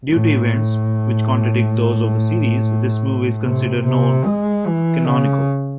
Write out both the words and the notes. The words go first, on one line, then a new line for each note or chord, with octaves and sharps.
Due to events, which contradict those of the series, this movie is considered non-canonical.
A2
C3
C3
G#3
E3
C#3